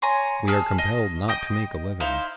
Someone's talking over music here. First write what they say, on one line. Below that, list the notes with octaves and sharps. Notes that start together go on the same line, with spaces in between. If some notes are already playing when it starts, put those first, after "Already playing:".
We are compelled not to make a living.
C#5 G#5 A#5 C6
G#4 A5 F6
D#5
D#5 G5 D#6
D#4 E4 C5 F5